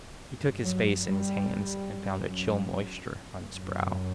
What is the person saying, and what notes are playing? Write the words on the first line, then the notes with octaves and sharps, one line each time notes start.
He took his face in his hands and found a chill moisture on his brow.
G2
F#3
G3
F#2
F#2